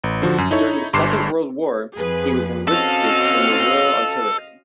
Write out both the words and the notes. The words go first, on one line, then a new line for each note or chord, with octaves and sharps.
During the Second World War he was enlisted in the Royal Artillery.
A1
D3 F3 F#4
F#2
D#4 E4 A4 C#5
G1 G2 C6 D6 C7 E7
F2 G#4 B4
C4 C#4 F#4 A4 D#5 F5